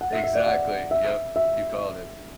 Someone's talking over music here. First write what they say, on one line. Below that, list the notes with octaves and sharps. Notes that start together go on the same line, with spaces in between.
Exactly, yep, you called it.
F#5
E5
E5
D5
F#5
E5
E5